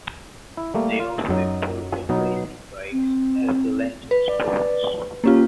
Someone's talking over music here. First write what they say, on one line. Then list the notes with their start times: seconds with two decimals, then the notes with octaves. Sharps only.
They also imported racing bikes as the Lenton Sports.
0.57 E4
0.74 G3 A3 A#3
1.00 F4
1.28 F#2 F#3 D#4
2.09 B2 F#3 B3 D#4
2.91 C4
4.11 B4
4.27 D5
5.24 A#3 C#4 F4 G4